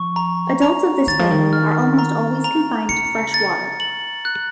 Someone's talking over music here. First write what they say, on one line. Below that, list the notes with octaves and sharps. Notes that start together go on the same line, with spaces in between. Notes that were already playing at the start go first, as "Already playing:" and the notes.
Adults of this family are almost always confined to fresh water.
Already playing: F3 C#6
A#5
A#5
D#3 A6
F3
D#3
F6
A#5
A#5
C#3 C#7
A6
F#7
F#6